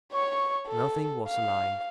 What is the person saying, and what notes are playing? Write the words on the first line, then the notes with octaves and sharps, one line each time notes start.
Nothing was alive.
C#5 C#6
A4
F5